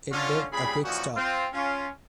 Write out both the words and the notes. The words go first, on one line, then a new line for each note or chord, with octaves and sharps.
It did a quick stop.
D3 C#4 F4
A#2 C#3 G3 G#4 B5
F#2 A#2 E3 F3 C#4 F#4
C4 F4
C#4 F4